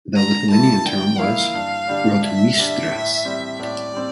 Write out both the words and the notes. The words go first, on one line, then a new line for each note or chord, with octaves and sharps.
The Lithuanian term was "rotmistras".
D3 A#5
F3 A#3 E4 A5
D3 G5
F3 A#3 E4 F5
G2
D3 G3 D4
G2 E5
D3 G3 D4
A2
G3 C4
A2 D5
G3 C4